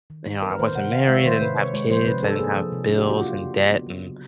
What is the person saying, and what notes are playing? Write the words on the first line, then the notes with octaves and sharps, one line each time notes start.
you know, I wasn't married, I didn't have kids, I didn't have bills, and debt, and
D#3
D#4
B3 A#4
B4
D#3 C5
C3 F#5
C3 F5
G#3 E5
C#5
D#3 C5
C3 B4
C3 C#5
G#3 C#5
F3 C5
C3 B4
D4 A4
A#3 G#4
F3
C3
D4
G4
A#3 F#4
F#3 F4
C#3
D#4
B3
F#3
C#3